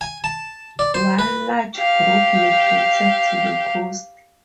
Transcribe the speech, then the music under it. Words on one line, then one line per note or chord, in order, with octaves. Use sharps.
One large group migrated to the coast.
G#5
A5
D5
C5
B4
G4 F5